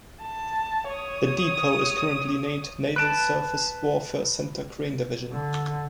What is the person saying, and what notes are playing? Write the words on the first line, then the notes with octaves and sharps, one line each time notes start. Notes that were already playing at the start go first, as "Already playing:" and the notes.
The depot is currently named Naval Surface Warfare Center Crane Division.
A5
C#5 D#6
B4 A5 F#6 D7
D3